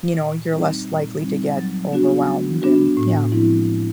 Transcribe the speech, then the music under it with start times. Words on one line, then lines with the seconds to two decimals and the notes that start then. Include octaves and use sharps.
you know, you're less likely to get overwhelmed and, yeah.
0.17 A#2
0.53 G3 C4 D#4
0.87 A#2
1.22 G3 C4 D#4
1.57 F#3
1.92 B3 D4 F#4
2.27 F#3
2.62 B3 D4 F#4
2.97 A2
3.32 F3 G#3 C4 E4
3.67 A2